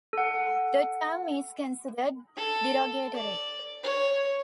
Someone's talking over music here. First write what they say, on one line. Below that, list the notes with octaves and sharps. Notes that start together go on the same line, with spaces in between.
The term is considered derogatory.
A4 F#5
A4
D5
C#5